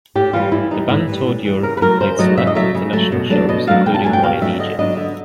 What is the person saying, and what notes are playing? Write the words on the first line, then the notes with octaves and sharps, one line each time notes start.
The band toured Europe and played select international shows, including one in Egypt.
A2 G4
E3 G3 F4
A2 E4
E3 G3 D#4
A2 E4
E3 G3
A2
E3 G3
C#3 A#4
B4
F#3 A3 A#4
C#3 C5
F#3 A3 D#5
C#3 E5
D#5
F#3 A3 E5
C#3
F#3 A3
B2
F#3 A3 D4
B2 D#5
F#3 A3 D4 F5
B2 G5
A5
F#3 A3 D4 G#5
G5
B2 F5
F#3 A3 D4 E5
D3 D#5
F#3 B3 D4 D#5
D3 E5